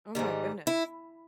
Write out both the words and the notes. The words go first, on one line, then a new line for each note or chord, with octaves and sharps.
Oh my goodness.
G#2 D#3 G3
E4